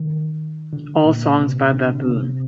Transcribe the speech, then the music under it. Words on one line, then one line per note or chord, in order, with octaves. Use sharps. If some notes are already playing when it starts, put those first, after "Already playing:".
All songs by Baboon.
Already playing: D#3
D3
A#2
C3
D3
C3